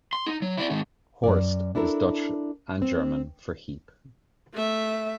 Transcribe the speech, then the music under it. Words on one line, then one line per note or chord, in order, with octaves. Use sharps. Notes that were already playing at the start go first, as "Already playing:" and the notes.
"Horst" is Dutch and German for "heap".
C6
D#4
F#3
E4 D5
G#2 D#3
F#2 C3 D5
D4 E4 A4 A#4
C4
A3 E5